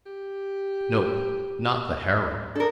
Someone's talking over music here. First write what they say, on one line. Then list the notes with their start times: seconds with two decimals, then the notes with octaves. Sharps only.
Nope, not the harem.
0.06 G4
2.55 D4 A4 A#4